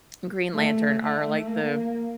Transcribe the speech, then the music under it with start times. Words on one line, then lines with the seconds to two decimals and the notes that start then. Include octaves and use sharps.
Green Lantern are, like, the,
0.53 A3
1.00 A3
1.47 A#3